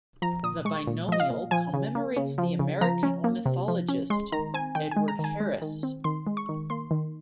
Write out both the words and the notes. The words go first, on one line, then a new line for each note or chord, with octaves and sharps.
The binomial commemorates the American ornithologist Edward Harris.
F3 A#5
A#2 D#6
G#3 C#6
A#2
F3 D#5
F5
A#2
F3 G#5
C#3
A#3
C#3
F3
C#3
F3 A#5
C#4
A#3
C3
F3
C#4
G#3 C6
D#3 A#5
C4 G#5
D#3 G5
G#3 G#5
A#5
D#3
G#5
G#3
D#3
C4
D#3 C6
G#3
C#6
D#3
A#3 C6
D#3